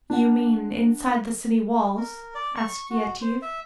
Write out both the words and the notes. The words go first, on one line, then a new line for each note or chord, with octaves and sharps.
"You mean inside the city walls?" asked Yetive.
D4 F#5
A#4
D5
C#6
F#4
C5
E5